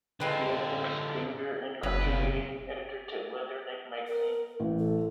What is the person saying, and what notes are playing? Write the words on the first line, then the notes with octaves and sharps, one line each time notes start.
He has been a stringer and contributing editor to Leatherneck Magazine.
D3 G#3 C4 F4 B4
F#1 F#3 B4
B1 C#3
A#4
A1
A4